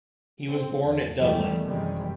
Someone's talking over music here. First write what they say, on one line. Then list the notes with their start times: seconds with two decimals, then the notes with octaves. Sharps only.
He was born at Dublin.
0.51 C4
0.83 E2
1.19 E2 B2 D#3 E3 G3 A3
1.65 F#2 C3 D#3 E3 G3 G#3